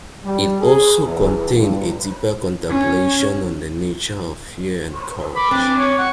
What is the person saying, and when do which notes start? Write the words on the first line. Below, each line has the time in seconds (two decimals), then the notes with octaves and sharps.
It also contains a deeper contemplation on the nature of fear and courage.
0.24 G3
0.61 G#4
1.03 E2
1.57 G2
2.69 C#4
5.36 B5 D6
5.51 C4 D4 G#5
5.78 C#5
5.98 F#5 C#6